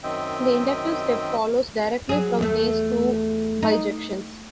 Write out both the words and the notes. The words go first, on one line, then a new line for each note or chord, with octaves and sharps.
The inductive step follows directly from these two bijections.
F#2 D#3 C4 D#5 E5 G5
F#3 G#4
E2 A3
D#4